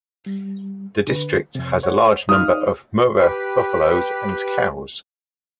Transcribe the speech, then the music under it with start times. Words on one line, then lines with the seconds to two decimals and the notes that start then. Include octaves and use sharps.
The district has a large number of Murrah buffaloes and cows.
0.26 G3
1.07 D3 B4
1.55 F2 C3
1.83 C5 C#5 F#5
2.29 D#4 F5 D#6 F6
3.19 G4 B4